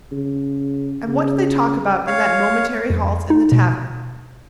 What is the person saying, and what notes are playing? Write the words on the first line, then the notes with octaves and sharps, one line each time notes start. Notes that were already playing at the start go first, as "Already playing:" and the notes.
And what do they talk about in that momentary halt in the tavern?
C#3
C#3
C#5 F5
F2
D#4
B2